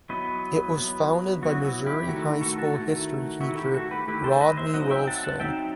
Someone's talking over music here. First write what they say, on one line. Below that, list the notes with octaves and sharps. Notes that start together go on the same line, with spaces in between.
It was founded by Missouri high-school history teacher Rodney Wilson.
F#3 B3 E4 B4 D#5
F#3 B3 E4
F#3 B3 E4 F#4
E4
E4 G4
D#3 A3 E4 F#4 A4
F#4 A4
F#4 A4
D#3 A3 E4
D#3 A3 E4 F#4
E4 G4
F#4 A4
G4 B4
D#3 A3 E4 G4 B4
A4 C5
B4 D#5
C5 E5
F#3 C4 D#4 D#5 F#5
E5 G5
F#5 A5
F#5 A5
F#3 C4 D#4 E5 G5